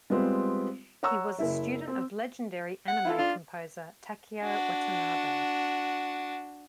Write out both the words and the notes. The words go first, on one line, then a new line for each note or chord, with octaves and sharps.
He was a student of legendary anime composer Takeo Watanabe.
G3 G#3 B3 C4 F4
C#5 F#5 A#5 C#6 E6
F#1 E4 E5
C4
F#5
E4 F4 A4
D4 F4
D4 F#4